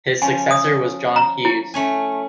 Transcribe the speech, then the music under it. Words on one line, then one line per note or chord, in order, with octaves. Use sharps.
His successor was John Hughes.
F3 C#4 G#5
D#6
A#5
E4
A3 C#4 G#5